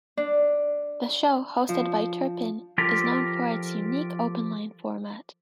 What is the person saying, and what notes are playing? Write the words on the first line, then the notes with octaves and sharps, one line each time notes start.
The show, hosted by Turpin, is known for its unique open-line format.
D4
F3
F3 F4 G4 A4 A#4